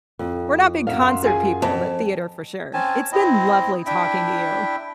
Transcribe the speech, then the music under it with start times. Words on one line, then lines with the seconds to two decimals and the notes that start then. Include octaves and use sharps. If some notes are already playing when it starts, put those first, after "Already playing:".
We're not big concert people, but theater for sure, it's been lovely talking to you.
0.19 F2
0.87 F#2 E5 F5
1.06 C6
1.23 F4 G#4 G#5
1.62 F2 A5
2.73 C4 C#4 G#5 A5
3.12 C4 E4 D#5
3.86 D4 E4 E5 G5